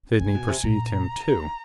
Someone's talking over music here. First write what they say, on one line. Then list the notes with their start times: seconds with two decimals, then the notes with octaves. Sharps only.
Sydney perceived him too.
0.21 C3 G#5
0.34 B2
0.48 C3
0.64 A#2 A#5